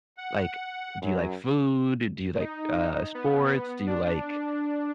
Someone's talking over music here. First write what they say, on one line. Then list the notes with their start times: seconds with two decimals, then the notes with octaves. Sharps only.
like, do you like food? Do you like, uh, sports? Do you like,
0.17 F#5
1.02 F#2 F#3
2.40 D#4
3.15 B3
3.87 D4